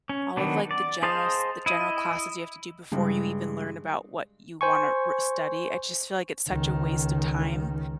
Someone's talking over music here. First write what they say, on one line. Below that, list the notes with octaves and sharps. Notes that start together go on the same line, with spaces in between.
all of, like, the general s the general classes you have to do before you even learn about what you want to r study, I just feel like it's such a waste of time,
C#4
D#3 F#3 B3 D4
D5
G#4 C5 D#5 F5 A5
E4 D#5
G2 C#3 G3 G#3 G4
C5 G#5 C#6
C#2 D#3